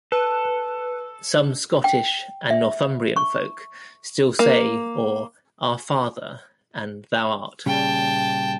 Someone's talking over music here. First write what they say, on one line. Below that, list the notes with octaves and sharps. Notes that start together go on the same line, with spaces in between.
Some Scottish and Northumbrian folk still say or "our father" and "thou art".
A4 B4
G5
E5
C#6
A#3
A#2 C#3 G3 G5 A5